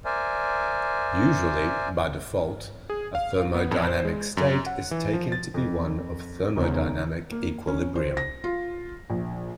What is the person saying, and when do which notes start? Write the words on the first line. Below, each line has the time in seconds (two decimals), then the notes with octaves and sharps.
Usually, by default, a thermodynamic state is taken to be one of thermodynamic equilibrium.
0.05 A#4 C5 D5 E5 G#5
2.90 G#4
3.15 F5
3.55 B3
3.71 F2
3.87 C5
4.05 G#3
4.37 F#2
4.67 F#5
4.91 E3
5.13 F3
5.32 A6
5.54 F2
6.56 E2 G#2 C#3 D#4
7.32 A#3
7.67 C#4
7.95 C5
8.17 A#6
8.44 F4
9.10 A#1